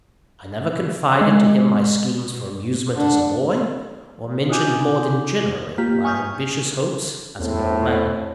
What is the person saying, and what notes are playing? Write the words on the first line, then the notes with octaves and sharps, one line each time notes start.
I never confided to him my schemes for amusement as a boy, or mentioned more than generally my ambitious hopes, as a young man.
G#3
D3
D#4 F4 F#4 G#5 D6 G6
A#3 F4 G4 B6
G#5 C#6 D#6 F6 G6
E2 A2 C4